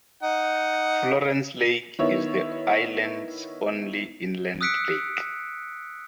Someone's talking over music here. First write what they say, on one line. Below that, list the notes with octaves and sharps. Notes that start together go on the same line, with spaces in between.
Florence Lake is the island's only inland lake.
D#4 F#5
D#3 B3 E4 C#5
D#6 E6 F#6 B6 C#7 D7